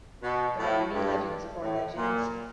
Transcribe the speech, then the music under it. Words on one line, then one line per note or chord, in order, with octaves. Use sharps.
There are many legends or legends.
B2
A2
G2
A2
A#2